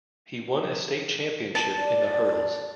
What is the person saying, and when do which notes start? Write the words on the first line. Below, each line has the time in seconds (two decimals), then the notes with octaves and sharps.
He won a state championship in the hurdles.
1.55 A5
1.78 D5